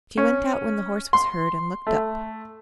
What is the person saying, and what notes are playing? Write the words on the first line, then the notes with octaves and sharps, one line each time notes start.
She went out when the horse was heard, and looked up.
C#4
C6
A3